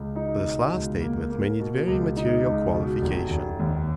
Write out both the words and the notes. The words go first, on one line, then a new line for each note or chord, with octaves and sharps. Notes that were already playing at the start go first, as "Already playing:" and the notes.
This last statement may need very material qualification.
Already playing: C#2
D#4
B2
C#2
A#3
A#3
B2
C#2
D#4
C#2
B2
F1
F1
D#2